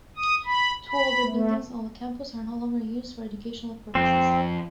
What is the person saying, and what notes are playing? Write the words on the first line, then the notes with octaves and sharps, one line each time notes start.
Two older buildings on the campus are no longer used for educational purposes.
D#6
B5
B5
A3
F2 C4